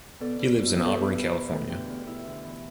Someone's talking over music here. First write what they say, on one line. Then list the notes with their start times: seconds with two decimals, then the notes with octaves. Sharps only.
He lives in Auburn, California.
0.20 B2 A4 D5
0.39 B2
0.58 B2
0.66 E4
0.76 B2 G4
0.85 A4
0.94 B2 G4 B4
1.13 B2
1.32 B2
1.51 A3
1.69 D3 G4
1.88 E2
2.06 E2 E4
2.25 D3
2.44 E3